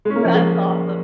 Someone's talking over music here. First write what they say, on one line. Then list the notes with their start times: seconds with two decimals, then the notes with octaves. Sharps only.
That's awesome.
0.05 G#3
0.10 C#4
0.15 A#3
0.25 F3
0.34 G#3